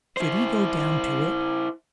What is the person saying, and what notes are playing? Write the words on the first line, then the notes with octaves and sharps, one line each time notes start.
Should he go down to it?
E4 C5